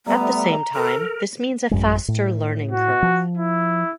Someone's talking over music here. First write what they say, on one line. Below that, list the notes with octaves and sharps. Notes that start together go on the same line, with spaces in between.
At the same time, this means a faster learning curve.
G3 A3 B3 A#5
A4 A#4
A1 F#2 G#3
A2
F#4
F3
E4